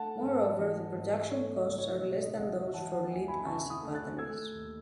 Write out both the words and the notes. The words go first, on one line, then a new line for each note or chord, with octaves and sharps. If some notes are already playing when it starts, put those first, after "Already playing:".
Moreover the production costs are less that those for lead-acid batteries.
Already playing: A3 F#5 A5
G#2
E3 D#5
G#2
A3 C#5
D#5
C#2
C#5
B2 C#5
D#5
C#2 D#5 F#5
C#5 E5
E3 F#5 A5
F#5 A5
D#2 E5 G#5
G#5 B5
C#3 A5 C#6
B5 D#6
A3
F#6 A6
A3 E6 G#6
D#2